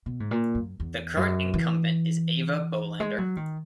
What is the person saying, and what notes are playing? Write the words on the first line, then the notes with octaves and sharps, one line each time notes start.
The current incumbent is Eva Bolander.
B2
G#2
A#2
F#2
E2
F#2
E3
G#3
F#3
D#3